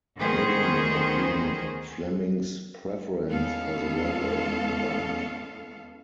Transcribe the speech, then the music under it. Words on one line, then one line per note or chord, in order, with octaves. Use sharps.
Niven had been Fleming's preference for the role of Bond.
D2 D#3 B3 C#4 G#4 C5
E2 G#3 B3 C#4 A4 F5